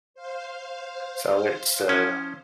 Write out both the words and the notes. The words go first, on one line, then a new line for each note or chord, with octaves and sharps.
So it's uh,
C5 F5
F3 C#4 E4